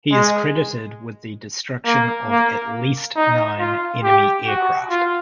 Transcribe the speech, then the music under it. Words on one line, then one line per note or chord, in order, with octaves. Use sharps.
He is credited with the destruction of at least nine enemy aircraft.
G#3
A#3
A#3
D#4
F4
G4
F#4
F4